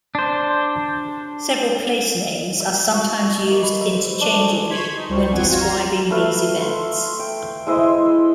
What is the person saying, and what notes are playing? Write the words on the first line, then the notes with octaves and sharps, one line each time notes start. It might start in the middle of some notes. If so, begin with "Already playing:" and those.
Several place names are sometimes used interchangeably when describing these events.
D4 C5
E5
E5
F#4
D#5
A#3
B4
E5
C5
D4
A4
G#4
C6 C#6 G#6 B6
D#4
C#2 G3 C5 C#6
G#1 E2 C4 F#5 G#5
F4 F#4 G#6
A#5 C6
A3 B4 F5
C6
G5
G#3 E4 C5 D#5